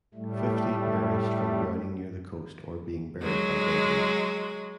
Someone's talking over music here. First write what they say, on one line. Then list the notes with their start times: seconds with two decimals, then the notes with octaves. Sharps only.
Fifty perished from downing near the coast or being buried by debris.
0.14 A2 G3 A3
3.22 F#3 G#3